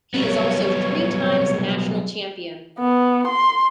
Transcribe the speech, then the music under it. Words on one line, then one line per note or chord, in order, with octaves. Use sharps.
He is also three times national champion.
F#3 G3 B3 C#5
B3
C6